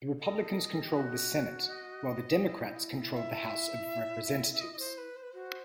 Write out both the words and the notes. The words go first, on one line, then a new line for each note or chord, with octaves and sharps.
The Republicans controlled the Senate, while the Democrats controlled the House of Representatives.
A4 D#5
G4
F#4
D#5
E4
E5
E5
D#5
D#5
C5
B4
C5
B4
F#4 C5